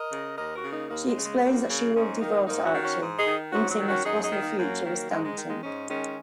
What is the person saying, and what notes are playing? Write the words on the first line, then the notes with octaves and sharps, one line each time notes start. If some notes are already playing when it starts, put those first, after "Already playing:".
She explains that she will divorce Archie, hinting at a possible future with Stanton.
Already playing: A#4 D#5
C#3
D#2 A#4 D#5
F#4 A#4
C#3
A#3 D#4
D#2 A#3 D#4
G#3
C#3
G#3
D#2 F#3 A#3
C#3
G#2 G#3 C#4
D#3 A#3 D#4
G#2 A#3 D#4
C#4 F#4
D#3
C#4 F#4
G#2
D#4 G#4
D#3
G#2 C#4 F#4
F#3
D#3
C#4 F#4
F#2 D#4 G#4
D#4 G#4
D#3
A#3 D#4
F#2 F#3 A#3
D#3
G#2 G#3
G#3
D#3
G#3
G#2 G#3 C#4
D#3 G#3 C#4